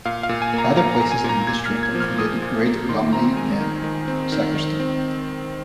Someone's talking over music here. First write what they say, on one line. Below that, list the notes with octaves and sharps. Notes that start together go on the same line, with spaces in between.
Other places in the district included Great Lumley and Sacriston.
A#2 F5
F5
A#2
G#5
A#3 A#5
A#3 A#5
A#5
A#2
G#5
A#2
A#5
A#2 G#6
F6
A#3
G#6
F3
F6
A#2 D#6
A#2
A#3
D#3 C6
C4 A#5
G#3 G#5
D#3
D#3
C4
D#3
D#3
C4